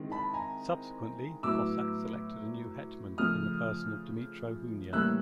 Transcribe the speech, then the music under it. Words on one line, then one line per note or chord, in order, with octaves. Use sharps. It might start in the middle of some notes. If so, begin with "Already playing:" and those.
Subsequently the Cossacks elected a new Hetman in the person of Dmytro Hunia.
Already playing: D#3 G#3 C4 E4
A5 B5
G#5 A#5
A2 F#3 B3 E4 D6 E6
C#3 F3 A3 D#6 F6
A2 E3 G3 A#3 C#4 E6 F#6